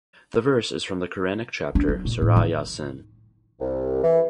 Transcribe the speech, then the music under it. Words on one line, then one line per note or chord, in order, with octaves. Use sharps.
The verse is from the Quranic Chapter, Surah Ya-Sin.
D4
F#3
A#2
A2
D#3
C2
E3